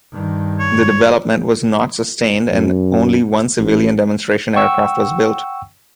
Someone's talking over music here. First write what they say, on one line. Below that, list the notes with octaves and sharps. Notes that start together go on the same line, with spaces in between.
The development was not sustained and only one civilian demonstration aircraft was built.
G2 D#3
C#5
F#2
A1
F#5 G5 C#6 E6